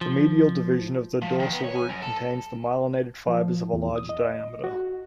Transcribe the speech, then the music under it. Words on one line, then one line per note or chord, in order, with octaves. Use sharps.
The medial division of the dorsal root contains myelinated fibres of larger diameter.
F3
F3
D#3
B3
C#5
G#5
F#2
A4
F3
E2
D#6
D#5
F#4